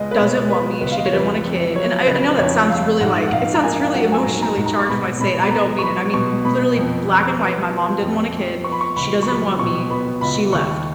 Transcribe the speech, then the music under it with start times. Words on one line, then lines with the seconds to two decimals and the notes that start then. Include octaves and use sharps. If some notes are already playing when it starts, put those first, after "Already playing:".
doesn't want me, she didn't want a kid, and I I know that sounds really, like, it sounds really emotionally charged when I say it. I don't mean it. I mean, literally black and white, my mom didn't want a kid, she doesn't want me, she left.
Already playing: C#2 G#3 B3 D#5
0.11 B4
0.19 B2 C#5
0.50 B3 B4
0.81 C#2 B4
0.92 F5
0.98 D#5
1.06 C#5
1.13 F2 B4
1.44 F2
1.75 F#3 C#5
2.06 C#3 B4
2.38 F2 C#5
2.70 F2 F5
3.01 G#2 F#5
3.28 F#5
3.32 G#2 F5
3.55 A#5
3.64 A#3 G#5
3.83 F5
3.94 F#3 F#5
4.12 G#5
4.18 A#5
4.26 G#2
4.42 A#5
4.57 G#2
4.66 A#5
4.79 C#6
4.89 B2 B5
5.20 B2 B5
5.42 B5
5.51 B3 A#5
5.79 C#6
5.83 F#3 B5
6.14 B2 C#6
6.45 B2 B5
6.77 F2
7.08 F2
7.39 B3
7.71 F3
8.02 F2
8.33 F2
8.64 B3 C#6
8.72 B5
8.81 C#6
8.96 C#2 B5
9.23 C#6
9.27 F#3 B5
9.59 B2 C#6
9.90 B3 B5
10.21 C#2 B5
10.53 D#2 C#6